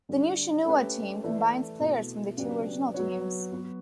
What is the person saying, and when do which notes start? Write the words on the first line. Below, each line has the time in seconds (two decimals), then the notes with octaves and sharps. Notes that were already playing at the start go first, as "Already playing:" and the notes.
The new Shenhua team combines players from the two original teams.
0.09 D3 G3 D4
0.66 A3 C#4 G4 B4
1.23 E3 A3 E4 B4 D5
1.80 B2 A3 E4
2.37 C#3 F#3 B3 D4 G4
2.94 F#3 B3 F#4 C#5
3.52 F#3 B3 F#4 B4